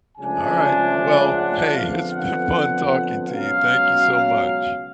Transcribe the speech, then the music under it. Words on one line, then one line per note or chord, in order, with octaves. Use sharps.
Alright, well, hey, it's been fun talking to you. Thank you so much.
C#2 C#3 F3 A3 D4 G#5
G#5
F#5
F2 D3 F3 B3 F5
F#5
C#2 B2 F#3 C#4 F5